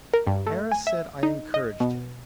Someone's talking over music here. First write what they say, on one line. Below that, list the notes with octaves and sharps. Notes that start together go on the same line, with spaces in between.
Harris said I encouraged him.
A#4
G2
A3
G#5
E5
D#4
D#5
B2